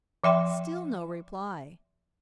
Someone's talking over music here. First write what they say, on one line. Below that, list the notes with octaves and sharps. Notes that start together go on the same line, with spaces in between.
Still no reply.
F3 E5 G5 C6